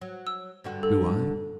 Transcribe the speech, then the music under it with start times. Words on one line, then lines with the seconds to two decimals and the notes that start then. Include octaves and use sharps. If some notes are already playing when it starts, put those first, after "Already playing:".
"Do I?"
0.01 F#3
0.27 E6
0.64 G2 D3 F#4
0.83 A4